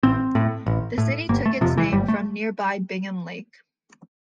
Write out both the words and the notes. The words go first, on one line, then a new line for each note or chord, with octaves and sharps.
The city took its name from nearby Bingham Lake.
A1 C4
A2
A1
A2
G1 A#3
A3
F2 C3 F3
E3
G1 G3
A3